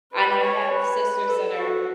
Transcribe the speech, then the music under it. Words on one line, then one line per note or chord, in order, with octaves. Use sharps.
and I have sisters that are
B4
C#5
B4
B4
A4
F#4